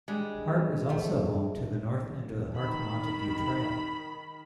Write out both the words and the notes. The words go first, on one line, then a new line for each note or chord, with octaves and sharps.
Hart is also home to the north end of the Hart-Montague Trail.
G3 G#3 D4
F3 A3
D#3 B5